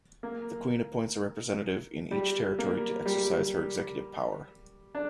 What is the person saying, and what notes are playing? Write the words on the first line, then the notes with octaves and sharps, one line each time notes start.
The Queen appoints a representative in each territory to exercise her executive power.
A#3
G3
A#3
G3
D4